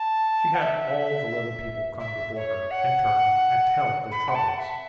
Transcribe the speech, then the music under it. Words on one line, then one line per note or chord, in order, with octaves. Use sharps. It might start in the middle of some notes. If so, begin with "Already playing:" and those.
She had all the little people come before her in turn and tell their troubles.
Already playing: A5
F#5
E5
E5
C#5
F#5
B5
F#5
A5
F#5
E5